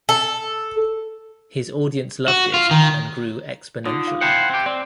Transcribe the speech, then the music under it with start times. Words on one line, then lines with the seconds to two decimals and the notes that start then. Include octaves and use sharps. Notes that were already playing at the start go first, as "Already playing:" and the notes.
His audience loved it, and grew exponentially.
0.09 A4
2.28 F#4
2.54 F4
2.71 D#3
3.86 D3 D#4 F4 D#6
4.07 F5
4.21 E4 C5 F#5 G5 A5 G#6
4.50 C4 G4
4.66 C4 D5